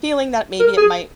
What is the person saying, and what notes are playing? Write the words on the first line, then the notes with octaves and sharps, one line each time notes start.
feeling that maybe it might
A#4
G#4